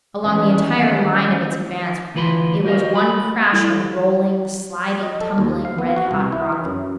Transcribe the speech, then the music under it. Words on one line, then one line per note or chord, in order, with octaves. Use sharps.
Along the entire line of its advance it was one crash of rolling, sliding, tumbling red-hot rock.
D#3 E3 F#3 G#3 A3 C#4
D2 E3 F4 B4 B5 C6
F#4 G4 A#4 B4 D#5 F5
B5
G3 E4 A4
D#5
A4
D#2
F5
B3
F#4
C2
E4
E3
F#2